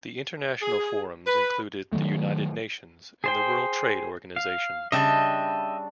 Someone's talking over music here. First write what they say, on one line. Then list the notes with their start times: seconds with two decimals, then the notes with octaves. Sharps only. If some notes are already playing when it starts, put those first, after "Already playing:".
The international forums included the United Nations and the World Trade Organisation.
0.62 G#4
1.27 B4
1.92 D#3 E3 F#3 A3
3.24 G#4 C5 G5
4.36 F5
4.92 C#3 G3 D4 D#5 E5 G5